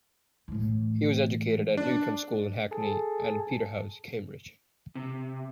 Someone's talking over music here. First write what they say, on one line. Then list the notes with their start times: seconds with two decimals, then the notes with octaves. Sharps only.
He was educated at Newcome's School in Hackney and at Peterhouse, Cambridge.
0.48 A2 E3
1.77 D4
2.71 G#4 A4
4.95 C3